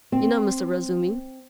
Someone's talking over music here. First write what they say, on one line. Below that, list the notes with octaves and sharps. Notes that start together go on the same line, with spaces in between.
You know Mr. Razumihin?
C4